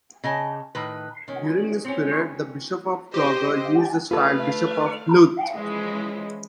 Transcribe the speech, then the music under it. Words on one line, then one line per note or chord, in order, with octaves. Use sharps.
During this period the Bishop of Clogher used the style "Bishop of Louth".
C#3 D#5 G#5 A5
A2 D#3 B4
D#3 C#4
C4 C#4
G4 C5 D#5
A3 F4 A4 B4 F5
E3 F3 G#3 C#4 E4